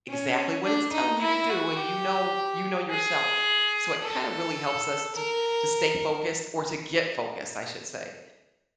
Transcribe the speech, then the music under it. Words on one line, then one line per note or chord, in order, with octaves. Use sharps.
exactly what it's telling you to do, and you know you know yourself. So it kind of really helps us to to stay focused or to get focused, I should say,
C#4
D4
D#4
E4
F#4
G4
G#4
A4
A#4